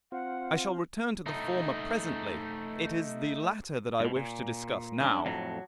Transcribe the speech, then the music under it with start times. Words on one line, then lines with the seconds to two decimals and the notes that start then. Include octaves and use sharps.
I shall return to the former presently; it is the latter that I wish to discuss now.
0.12 C4 F4 F#5
1.26 A3 D#4
4.00 G#2 B2
4.16 A#2
5.00 G2 C#4 D4
5.26 F2 A2 F#3